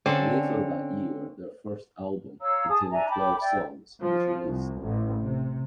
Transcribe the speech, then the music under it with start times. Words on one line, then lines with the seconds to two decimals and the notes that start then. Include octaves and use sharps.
Later that year their first album, containing twelve songs was released.
0.06 D3 C4 C#4 D5 F5 A5
2.41 C#5 F5 A#5 E6
2.68 G#4 A5 D#6
2.91 D4 E5 G#5 A#5
3.09 G5 A5 B5 D6
3.41 D5 E5 G5
4.02 F3
4.44 C2
4.80 A1
5.21 C3